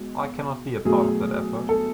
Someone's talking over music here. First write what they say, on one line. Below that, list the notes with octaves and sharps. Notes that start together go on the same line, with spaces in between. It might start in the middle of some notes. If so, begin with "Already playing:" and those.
I cannot be a part of that effort.
Already playing: B2 G#3
B2 F#3 A3 G#4
A4